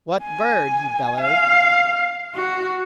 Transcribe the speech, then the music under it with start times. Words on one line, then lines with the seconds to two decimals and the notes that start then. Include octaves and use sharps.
"What bird?" he bellowed.
0.23 G#5
1.21 F5
2.35 F#4